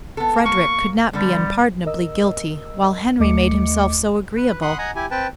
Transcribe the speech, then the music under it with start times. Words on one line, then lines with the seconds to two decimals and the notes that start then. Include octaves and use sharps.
Frederick could not be unpardonably guilty, while Henry made himself so agreeable.
0.17 B3 A4
0.46 A#3 C#6
1.13 D3 G3 B3
1.86 A#4 D#5 E6
3.20 D#2 A3 D#5 D6 C#7
4.36 B4
4.62 F#5 B5 C6 D#6 F#6
4.78 D#5 F#5 G#5 A#5 D#6
4.96 E4 G4 G#5
5.11 C4 B4 G5 A5